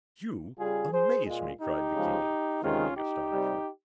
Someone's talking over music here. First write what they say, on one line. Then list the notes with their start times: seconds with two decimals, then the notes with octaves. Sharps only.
"You amaze me!" cried the king, feigning astonishment.
0.58 C#3 G3 F4 G#4
0.92 G#4 C5
1.26 A#2 G#3
1.60 D#4 G4
1.94 C#3 F3 G#3
2.62 C3 D#3 G#3 C#4 F4
2.96 D#4 G4
3.30 C3 G3